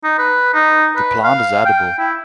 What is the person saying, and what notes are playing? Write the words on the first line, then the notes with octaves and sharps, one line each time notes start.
The plant is edible.
D#4
B4
D#4
B4
F5
G5
E4